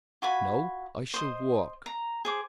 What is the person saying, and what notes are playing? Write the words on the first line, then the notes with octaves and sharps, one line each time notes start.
"No; I shall walk."
F4 F#4 G#5 B5
C5 D#5 C6
A#5
G#4 C5 D6